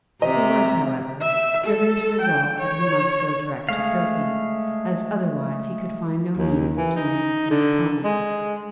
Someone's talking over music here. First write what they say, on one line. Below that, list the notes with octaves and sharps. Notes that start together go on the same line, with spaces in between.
He was, however, driven to resolve that he must go direct to Sophie, as otherwise he could find no means of doing as he had promised.
C3 G4 D#5 E5 A#5
E5
A4
G5
C#5
G#3 A3 F5
D#2
E3
D#4
D3
G#3